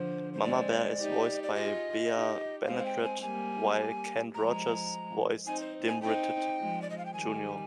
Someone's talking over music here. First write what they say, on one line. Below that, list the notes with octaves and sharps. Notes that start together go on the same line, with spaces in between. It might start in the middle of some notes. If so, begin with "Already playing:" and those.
Mama Bear is voiced by Bea Benaderet, while Kent Rogers voiced dim-witted Junior.
Already playing: D3 F3 C5
C5
G#3 C4 D5
D#4 G4
D5
F4 G#4 D#5
D#4 G4
G#3 C4 F5
F5
G5
G#5
G3 A#3 G#5
F3 G#3 A#5
C4 D#4 G#5
C5
G#5
C4 D#4 G5
F3 G#3
D5
D#5
F5
G5
D#3 G3 G#5